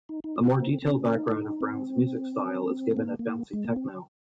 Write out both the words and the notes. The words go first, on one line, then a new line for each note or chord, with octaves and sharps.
A more detailed background of Brown's music style is given at bouncy techno.
D#4
D#4
F4
A#3
C4
C4
C#4
D#4
C4
A#3
A#3
G#3
A#3
C4